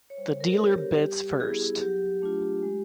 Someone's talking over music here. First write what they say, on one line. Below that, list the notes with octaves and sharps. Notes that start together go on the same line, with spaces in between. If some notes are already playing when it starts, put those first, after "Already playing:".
The dealer bids first.
C#5
G3 C5
A#4
A4
B3 D4 F#4
G4
G3 G4
B3 E4 G#4
F#3 G4
A3 D4 F4
G#3